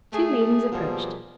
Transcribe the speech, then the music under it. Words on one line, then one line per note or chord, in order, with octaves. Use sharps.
Two maidens approached.
A3 G#4
B2 F3 G3 A#3 G#4